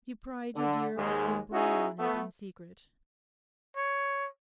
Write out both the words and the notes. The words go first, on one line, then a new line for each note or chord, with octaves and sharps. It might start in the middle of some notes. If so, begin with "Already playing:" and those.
You pride your dear old brawn on it in secret?'
D3
D#2 G#2 G#3
C#4 D#4 E4 F#4 G#4
A3 B3
C#5